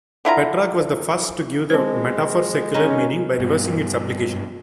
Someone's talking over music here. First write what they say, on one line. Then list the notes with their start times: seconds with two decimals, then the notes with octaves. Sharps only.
Petrarch was the first to give the metaphor secular meaning by reversing its application.
0.25 D3 E4 F4 A#5
1.70 G#3 C4 C5
2.74 B3 C#4 D#4
3.38 G2 B2